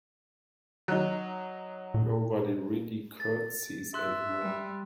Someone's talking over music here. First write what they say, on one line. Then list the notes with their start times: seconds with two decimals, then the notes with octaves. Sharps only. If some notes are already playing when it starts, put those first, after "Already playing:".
Nobody really curtsies anymore.
0.88 F#3 D#4
1.94 A#2
3.20 A6
3.94 E5 C6 F#6
4.42 G3